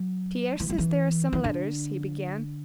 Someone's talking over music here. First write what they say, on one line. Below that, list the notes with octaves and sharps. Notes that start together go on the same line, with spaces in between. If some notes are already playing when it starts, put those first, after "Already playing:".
"Pierre says there are some letters," he began.
Already playing: F#3
E3
F#3
E3
E3
D3